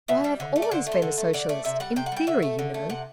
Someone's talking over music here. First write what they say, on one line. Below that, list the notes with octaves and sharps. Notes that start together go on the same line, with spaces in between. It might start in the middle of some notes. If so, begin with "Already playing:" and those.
'Why, I've always been a Socialist--in theory, you know.
B2 E5
G3
D3
A3
D5
D3 C5
A3
C5
D3
A3
D3 D5
A3 D5
C3 E5
G3 F#5
C3 G5
F#5
G3 G5
D3 E5
A3
D3
A3
C3 F#5